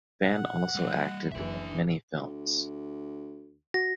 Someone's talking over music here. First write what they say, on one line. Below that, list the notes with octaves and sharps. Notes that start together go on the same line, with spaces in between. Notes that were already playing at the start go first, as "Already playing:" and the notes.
Fan also acted in many films.
F#5
G3 D#5
F#1 E3 D4 E5
D2
F#4 A#6